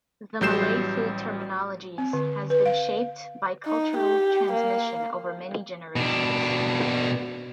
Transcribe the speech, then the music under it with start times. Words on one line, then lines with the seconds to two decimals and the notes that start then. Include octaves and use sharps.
The Malay food terminologies has been shaped by cultural transmission over many generations.
0.41 A1 F#3 G3 G6 C7 E7
1.98 C4
2.13 D3
2.50 B4
2.66 F5
3.66 D#4
3.97 G4
4.53 A#3
5.96 B2 D4